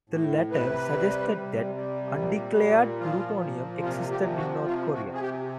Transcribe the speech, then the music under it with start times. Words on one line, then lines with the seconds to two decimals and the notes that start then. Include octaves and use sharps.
The latter suggested that undeclared plutonium existed in North Korea.
0.10 A2
0.51 C3 B4
0.93 G3
1.34 C3
1.75 G3
2.17 A#2
2.58 A#2
3.00 F3 F4
3.41 A#2
3.82 C3 F4
4.11 G4
4.24 F3
4.38 F#4
4.65 C3 F4
4.94 F#4
5.08 C3
5.14 G#4
5.21 G4